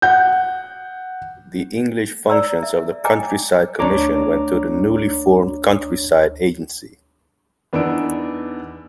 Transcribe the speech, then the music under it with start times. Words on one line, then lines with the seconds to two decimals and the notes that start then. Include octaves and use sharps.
The English functions of the Countryside Commission went to the newly formed Countryside Agency.
0.02 F#5 G6
2.30 D5 A#5 E6
2.63 E5
3.04 D#5 G5 G#5 A#5 D6
3.79 D2 D4 C#5 A#5 D6
7.73 E2 B3 D4 D#4 E6 D7